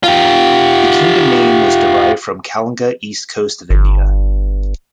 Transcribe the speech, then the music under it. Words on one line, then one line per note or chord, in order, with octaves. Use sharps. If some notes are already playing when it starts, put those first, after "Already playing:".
The kingdom name was derived from Kalinga east coast of India.
F4 G4
G1